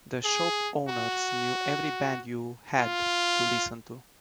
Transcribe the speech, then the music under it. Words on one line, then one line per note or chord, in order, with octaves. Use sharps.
The shop owners knew every band you "had" to listen to.
G#4
F#4
F4